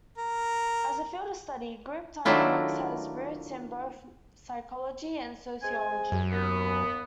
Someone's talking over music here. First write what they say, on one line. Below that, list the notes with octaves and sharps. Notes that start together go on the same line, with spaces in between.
As a field of study, group dynamics has roots in both psychology and sociology.
A#4
D#3 F#3 A3 D4 E4 F4
G#3 C4 G#5
F#2
D#2 B3